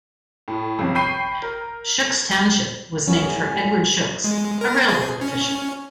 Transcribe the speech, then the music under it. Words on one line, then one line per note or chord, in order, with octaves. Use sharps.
Shooks Township was named for Edward Shooks, a railroad official.
A2
G1 F2 C3
G5 B5 C#6 G6 C7 D#7
A#4
A1 G2 B3 C#4 G#5
G#3
A#4
G#4
C#4